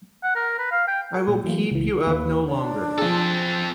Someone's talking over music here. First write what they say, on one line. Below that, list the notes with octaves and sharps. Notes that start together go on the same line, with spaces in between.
I will keep you up no longer.
F#5
A#4
B4
F5
G5
G#4 A#4 F#5 G#5
A#2 G3
E3 F#3 A3 A#3 F4
C#2 E3
D#2 B4
D4 C#5
F3 C4 G#4 A4